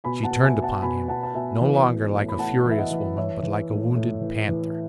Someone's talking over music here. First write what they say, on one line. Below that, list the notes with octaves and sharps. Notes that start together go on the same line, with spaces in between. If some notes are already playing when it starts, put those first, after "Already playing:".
She turned upon him, no longer like a furious woman, but like a wounded panther.
B2 G#5 B5
F#5 A5
B2
E5 G#5
B2
F#5 A5
B2 G#5 B5
B2 F#5 A5
A5
B2 E5 G#5
E3
E3
A2
B5
A2 F#5 A5
E3
E5
D#5 F#5
E3
E3 C#5 E5
E3
A2
A2
E3
E3